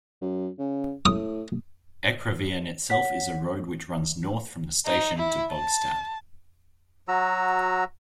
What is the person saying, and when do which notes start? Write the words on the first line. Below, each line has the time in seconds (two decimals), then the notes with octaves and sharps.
Ekraveien itself is a road which runs north from the station to Bogstad.
0.21 F#2
0.59 C#3
1.06 A2 D#6
2.90 C#5 F#5 B6
4.86 D#4
5.18 E4
5.52 A5
7.08 F#3 F#4 A#5 E6